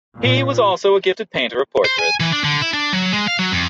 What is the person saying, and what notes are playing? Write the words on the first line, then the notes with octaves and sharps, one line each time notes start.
He was also a gifted painter of portraits.
A#2
C5
G#5
E3
D4
D3
E4
D4
F#3
G#3
F5
F#3
F2